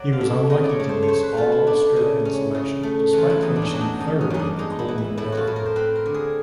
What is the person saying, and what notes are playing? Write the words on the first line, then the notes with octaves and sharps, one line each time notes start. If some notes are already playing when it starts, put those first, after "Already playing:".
He was unlucky to miss All-Australian selection despite finishing third in the Coleman medal.
Already playing: F#3 D5
F5
A3 E5
C#3 D#5
D5
C#5
A3
C5
C#5
A3 C5
B4
A3 F4
E4
A3 D4
C#3
C#4
C#3
A3
E3
F4
E4
E2 D#4
D4
C#4
F#3 D4
D#4
E2 D#4
C#4
E2 D#4
D4
G#3 D#4
E4
E3
E4
A2 E4
F4 F#4
A2
A#4
C5
C4 B4
A#4
D3
G#4